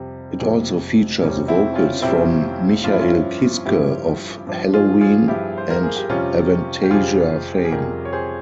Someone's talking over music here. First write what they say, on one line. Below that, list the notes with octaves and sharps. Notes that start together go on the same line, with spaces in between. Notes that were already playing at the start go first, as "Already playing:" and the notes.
It also features vocals from Michael Kiske of Helloween and Avantasia fame.
Already playing: F2 C3 G3
F2 C3 G3
F2 C3 G3 C#4
C4 E4
C#4 F4
F2 C3 G3 C4 E4
G2 F3 F4
E4
C#4 F4
G2 F3 E4 G4
G2 F3
F4 G#4
F4 G#4
G2 F3 E4 G4
C5
A#4
G#4
G4
F2 C3 G3 C#4 F4
G4
F2 C3 G3 F4 G#4
G4
G#4
F2 C3 G3 G4 A#4
C#5
G#4 C5